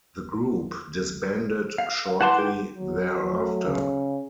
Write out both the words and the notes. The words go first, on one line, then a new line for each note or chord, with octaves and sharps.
The group disbanded shortly thereafter.
F5
E4 B4 F#5 A5 C6 D6
G#4 F#5 G5
F#3
A3
C#3